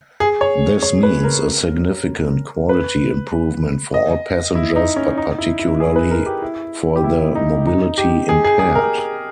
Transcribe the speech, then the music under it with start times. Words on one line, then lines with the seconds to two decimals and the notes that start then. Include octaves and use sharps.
This means a significant quality improvement for all passengers but particularly for the mobility-impaired.
0.20 G#4
0.41 C#5
0.82 C#5
1.03 B4
1.24 A#4
2.69 B4
3.94 D#5
4.55 E4
4.76 D#4
4.96 C#4
5.18 D#4
5.38 E4
5.59 E4
5.80 G#4
5.96 B4
6.11 A#4
6.26 G4
6.42 E4
6.96 G4
7.04 E4
7.35 D#4
7.67 D#4
7.98 G4
8.29 G#4
8.44 G#4
8.59 G#4
8.75 A#4